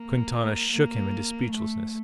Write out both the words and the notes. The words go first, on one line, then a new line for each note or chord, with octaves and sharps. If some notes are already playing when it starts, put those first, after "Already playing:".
Quintana shook him into speechlessness.
Already playing: A#3
A#3
A3